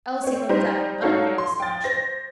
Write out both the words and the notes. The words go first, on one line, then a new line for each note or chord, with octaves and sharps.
Elsie looked up in unfeigned astonishment.
C4 C#5
G3 D#4 C5
D#4 F#4 A4 C#5 F5
C6
G5 A6
C5 A#6